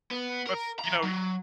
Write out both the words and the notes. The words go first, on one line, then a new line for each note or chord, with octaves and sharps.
but f you know, y
B3
A#4
E3 A#5
F#3